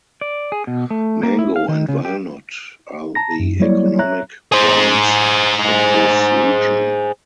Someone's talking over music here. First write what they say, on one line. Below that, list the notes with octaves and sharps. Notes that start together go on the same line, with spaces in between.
Mango and walnut are the economic plants of this region.
D5
G#4
B2
A3
A#3
E4
F5
D#3
C#3
G4
A5 A#5 A#6
F#2
F#3 G3 A#3 E4 C#5 D5
C#5 E5 A#5 F#6
G#4 C5